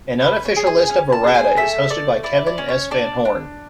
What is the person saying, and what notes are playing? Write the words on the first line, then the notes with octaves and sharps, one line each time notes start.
An unofficial list of errata is hosted by Kevin S. Van Horn.
C#4 B4
C#5
G#4
G#5
C#4 G#5
A5
G#4 A5
G#5
A3 E5
A3 D5
E4 D5
D5
C#4
C#5
D4 D5
D4